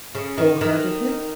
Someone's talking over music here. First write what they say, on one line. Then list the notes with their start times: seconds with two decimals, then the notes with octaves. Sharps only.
"Or heard of him?"
0.15 C#3
0.38 D#3
0.61 D#3